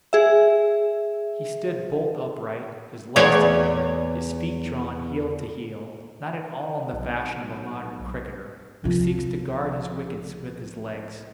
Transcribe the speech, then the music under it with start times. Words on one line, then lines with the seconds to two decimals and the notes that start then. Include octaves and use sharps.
He stood bolt upright, his legs together, his feet drawn heel to heel; not at all in the fashion of a modern cricketer, who seeks to guard his wickets with his legs.
0.13 G#4 E5
3.16 E2 C#5 D5
6.93 B1
8.84 C2 F3